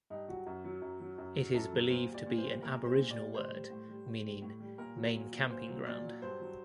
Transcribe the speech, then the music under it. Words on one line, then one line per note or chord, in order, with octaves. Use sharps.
It is believed to be an Aboriginal word meaning "main camping ground".
G2 D#4
F#3 F#4
F#2
F#3
F#2
F#3
F#2
F#3
F#2 A4
F#3
A#2 C5
G3
D5
A#2
C5
G3
A#2 A#4
G3
C5
A#2
D5
G3
A2 C5
G3
A2
G3
A2
G3
A2
G3
A#2 A#4
F#3
A#2
F#3
A#2 C5
F#3
A#2 D5
F#3
G2 C5
F#3